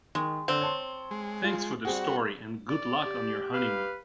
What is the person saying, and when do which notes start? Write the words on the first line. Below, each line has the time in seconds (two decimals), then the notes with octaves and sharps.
Thanks for the story and good luck on your honeymoon.
0.15 D#3 G#3
0.48 D3 C4
0.61 C#5 A5 C6
1.11 G#3
1.44 F4
1.85 G3 C4 F#4 G#4
2.69 D5
3.05 G4
3.53 B4 F5